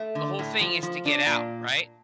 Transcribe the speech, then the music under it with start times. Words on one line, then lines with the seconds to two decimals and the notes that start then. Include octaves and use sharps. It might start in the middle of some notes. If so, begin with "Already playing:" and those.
the whole thing is to get out, right?
Already playing: A3
0.15 D3
0.39 A2
0.61 F3
0.83 F3
1.05 D4
1.27 A#2